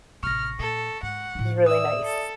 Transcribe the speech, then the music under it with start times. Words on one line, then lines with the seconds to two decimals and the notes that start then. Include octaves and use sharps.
really nice,
0.23 A1 C3 C#6 F6 A#6
0.59 A#2 A4
1.03 G#2 F#5
1.35 A2 D#4
1.66 D5 E5 D#6 E6
2.05 A4